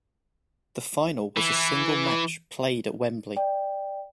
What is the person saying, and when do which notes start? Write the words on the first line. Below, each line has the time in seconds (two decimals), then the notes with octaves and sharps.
The final was a single match played at Wembley.
1.37 E3
3.36 D5 G5